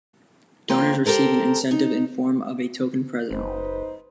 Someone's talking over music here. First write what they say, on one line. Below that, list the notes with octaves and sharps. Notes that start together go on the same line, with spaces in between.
Donors receive an incentive in form of a token present.
E2 A#3 F4 C5 G5
G4 A4 A#4 C5
D#4
F#1 D#4 B4 C5